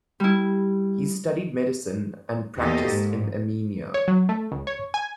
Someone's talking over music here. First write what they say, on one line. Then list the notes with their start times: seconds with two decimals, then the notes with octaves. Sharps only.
He studied medicine, and practiced in Amenia.
0.20 G3 E4
2.58 E2 D#3 A#3 G4 A4 D#5
2.90 G#2
3.94 C#5
4.08 F#3
4.29 A3
4.52 C#2
4.67 C#5
4.94 G#5